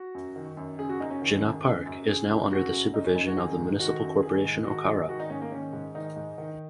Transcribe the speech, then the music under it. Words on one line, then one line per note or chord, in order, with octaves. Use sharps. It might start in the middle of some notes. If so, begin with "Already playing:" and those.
Jinnah Park is now under the supervision of the Municipal Corporation Okara.
Already playing: F#4
F#2
D#3
F#2
C#3 G#4
F#4
F#2 D#4
C#4
D#3
G#2
C#3
F#2
C#3 G#4
F#2
C#3 F#4
F#2
C#3 D#4
C#4
F#2 D#4
F#4
D#3 G#4
G#2
D#3 F#4
F#2
D#3 G#4
G#2
D#3 F#4
G#2
D#3 F#4
D#4
G#2 C#4
A#3
D#3 C#4
G#2
D#3 D#4
G#2
D#3